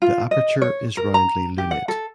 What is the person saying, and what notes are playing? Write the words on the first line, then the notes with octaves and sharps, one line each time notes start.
The aperture is roundly lunate.
F4
D#5
C#5
A#4
A#5
G4
F#5
A4